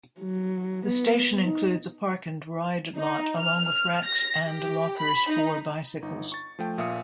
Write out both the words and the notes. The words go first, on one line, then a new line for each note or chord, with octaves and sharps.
The station includes a park-and-ride lot along with racks and lockers for bicycles.
F#3
B3
D#4
D#4
F6
A#6
G4
B5
D#4
G1 D#4
C#6 A6
F3 A3 G5
A#1 A#2 E5 F5 D#6 C#7